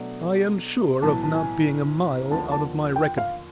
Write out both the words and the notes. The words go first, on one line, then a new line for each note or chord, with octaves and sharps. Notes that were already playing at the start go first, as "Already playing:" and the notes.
"I am sure of not being a mile out of my reckoning."
Already playing: B2 F#3 A3 D4
B1 A2 E3 A5
A5
G#5
D#2 D3 F3 A5
A5
G5
F5